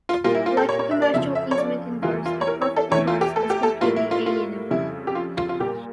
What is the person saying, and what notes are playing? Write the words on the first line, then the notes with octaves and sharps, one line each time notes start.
Like a commercial easement in gross, a profit in gross is completely alienable.
F4
A#2 G3 A#3 F4
E4
F4
A4
C#5
C#5
E5
D5
F2 C#3 F3 E5
E5
C#5
D5
E2 E3 G3 A#3 F4
F4
C#5
A#4
C#5
A4
E2 E3 A3 C#5
F4
G4
A4
G4
A4
A2 G3 A#3 F4
E4
F4
F4
F2 C#3 G3 E4
G4
F4
F4
F4
A#2 G3 A#3 G4